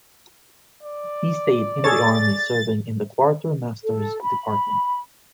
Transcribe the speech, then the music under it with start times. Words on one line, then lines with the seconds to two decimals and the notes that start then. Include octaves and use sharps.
He stayed in the army serving in the quartermaster's department.
0.82 D5
1.84 G#4 A4 C#5 A6
3.85 A4
4.22 B5